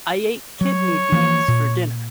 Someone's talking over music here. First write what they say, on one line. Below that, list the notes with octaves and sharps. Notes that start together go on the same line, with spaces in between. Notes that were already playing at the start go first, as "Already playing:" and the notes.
I ate Kidney beans for dinner.
F#3 C#5
E3 F3 A#3
A#2